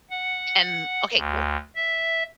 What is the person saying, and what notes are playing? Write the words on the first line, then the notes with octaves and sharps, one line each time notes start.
and okay, cool
F#5
D2
E5